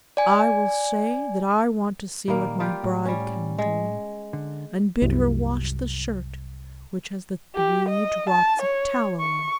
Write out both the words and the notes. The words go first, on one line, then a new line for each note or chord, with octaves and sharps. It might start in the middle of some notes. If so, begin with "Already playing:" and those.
I will say that I want to see what my bride can do, and bid her wash the shirt which has the three drops of tallow on it.
D5 G#5
A#2 D#3 G3 A#3
G3 F4 G4
A2
G3 C#4
G#3
D3
C2 F#2
G4
D#5
A5
C#5
C#6